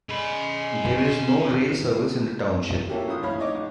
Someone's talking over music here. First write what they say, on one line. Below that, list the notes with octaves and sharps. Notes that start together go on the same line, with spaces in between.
There is no rail service in the township.
G#3 C#4 B5
A#3 C#4 E4 F#4 G4 A4
A#1 F4 D#6
A2 E3 C#5 F5 B5
D#4 C#5 D#5 D6
A#1